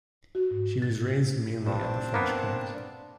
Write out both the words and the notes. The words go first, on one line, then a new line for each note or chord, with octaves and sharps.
She was raised mainly at the French court.
F#4
G#2
A6
G2 C4 D4 A5
A#3 B3